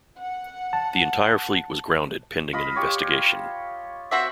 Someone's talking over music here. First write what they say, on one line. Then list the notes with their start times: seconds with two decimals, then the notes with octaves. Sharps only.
The entire fleet was grounded pending an investigation.
0.18 F#5
0.73 A5
2.53 F4 D#5 B5
2.76 F4 G4 C#5
4.11 C4 F#4 E5